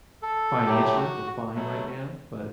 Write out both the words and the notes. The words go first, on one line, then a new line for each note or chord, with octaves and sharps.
financially, we're fine right now, but
A4
A2 F#3 A3 G4
F#4
B2 F#3 A3